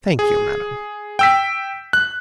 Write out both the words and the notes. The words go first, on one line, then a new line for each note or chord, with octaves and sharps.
"Thank you, madam."
G#4
G5 E6 B6
F#6